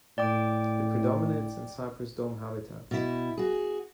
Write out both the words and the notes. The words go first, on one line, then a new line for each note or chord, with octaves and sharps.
It predominates in cypress dome habitats.
A2 D5 G5 D6
B2 E4
F#4 G#4